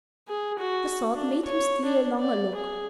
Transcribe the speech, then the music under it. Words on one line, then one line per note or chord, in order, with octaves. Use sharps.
The thought made him steal a longer look.
G#4
F#4
D4
C#5
D4
D5
G#4